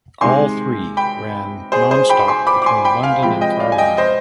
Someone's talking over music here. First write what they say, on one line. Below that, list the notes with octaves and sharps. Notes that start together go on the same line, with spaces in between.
All three ran non-stop between London and Carlisle.
C3 D#3 G#3 G#5 C6
G5 B5
G#4 C5
G#4 C5
G5 B5
B5
G#5 C6
B5 D6
D6
G#5 C6
G5 B5
F5 G#5
C3 F3 G#3 G5 B5
D#5 G5
D5 F5
G#5
D#5 G5
C5 D#5